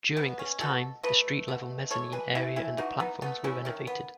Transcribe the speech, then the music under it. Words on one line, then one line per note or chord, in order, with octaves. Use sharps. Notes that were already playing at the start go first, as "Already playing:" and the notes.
During this time, the street level mezzanine area and the platforms were renovated.
B2 B3
C#4
B2 F#4 A4
A3 B4 D#5
B2
E3 A4 C#5
G#4 B4
A3 E4 G#4
E4 G#4
E3 D#4 F#4
B3 D#4
A3 B3
C#4 E4
D#3 C#4
B3